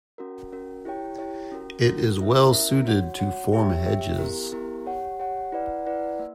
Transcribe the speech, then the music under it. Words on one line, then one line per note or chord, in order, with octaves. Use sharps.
It is well suited to form hedges.
C#4 F#4 A#4
C#4 F#4 A#4
E4 G4 C#5 G5
E4 G4 C#5 G5
C#4 F#4 A#4
C#4 F#4 A#4
C#4 E4 A#4 E5
C#4 E4 A#4 E5
F#4 C#5 F#5
F#4 C#5 F#5
G4 C#5 E5 G5
G4 C#5 E5 G5
B3 E4 G4 A#4
B3 E4 G4 A#4
G4 C#5 F#5
G4 C#5 F#5
E4 B4 D5 F#5
E4 B4 D5 F#5
A#3